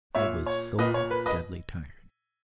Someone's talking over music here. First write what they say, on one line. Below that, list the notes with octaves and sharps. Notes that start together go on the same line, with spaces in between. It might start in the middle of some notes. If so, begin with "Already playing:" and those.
I was so deadly tired.
A#2 C#5 E5
C#5
A#2 B4 D#5
C#5
B4
B4 D#5